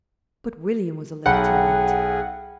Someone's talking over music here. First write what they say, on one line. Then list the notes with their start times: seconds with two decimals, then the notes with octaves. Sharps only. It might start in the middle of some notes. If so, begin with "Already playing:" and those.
But William was a lieutenant.
1.26 B1 G#4 F#5 G5 B5